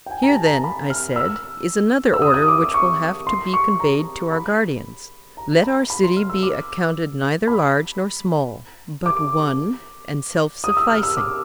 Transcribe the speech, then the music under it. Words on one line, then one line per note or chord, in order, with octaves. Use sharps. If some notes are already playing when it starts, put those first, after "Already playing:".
Here then, I said, is another order which will have to be conveyed to our guardians: Let our city be accounted neither large nor small, but one and self-sufficing.
G5
G#5
A#5
A5
A#5
B5
F6
E6
E6
D#6
D#6
D6
D6
C#6
C6
C#6
A#5
B5
A#5
B5
B5
C6
F6
E6
D6
B5
D6
D#6
E6
F6
E6
D6